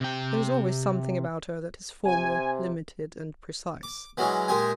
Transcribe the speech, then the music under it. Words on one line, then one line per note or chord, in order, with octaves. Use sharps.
There is always something about her that is formal, limited, and precise.
C3 G5
C3 G#5
D6
E3 F#3 G#3 C#4
A#2 G#3 G4 G#5